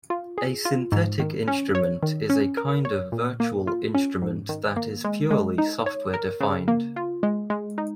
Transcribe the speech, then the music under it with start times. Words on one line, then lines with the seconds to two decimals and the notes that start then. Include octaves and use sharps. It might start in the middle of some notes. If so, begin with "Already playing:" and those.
A synthetic instrument is a kind of virtual instrument that is purely software defined.
0.10 F4
0.38 G#4
0.65 F4
0.92 G#2
1.20 D#3
1.48 C#4
1.75 C#5
2.03 D#3
2.30 C#4
2.57 A#4
2.85 C#5
3.12 A#2
3.40 A#3
3.67 F4
3.95 C#4
4.22 G#2
4.49 D#3
4.76 A#3
5.04 G#3
5.31 G#3
5.58 D#4
5.86 C#5
6.14 A#4
6.40 C#3
6.68 A#3
6.96 F4
7.23 G#3
7.50 G#3
7.78 D#4